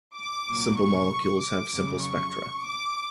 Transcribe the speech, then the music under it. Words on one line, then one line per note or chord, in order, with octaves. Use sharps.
Simple molecules have simple spectra.
D6
C2 A#2 F#3
C#6
D6
F2 C#3 F#3
C#6
D6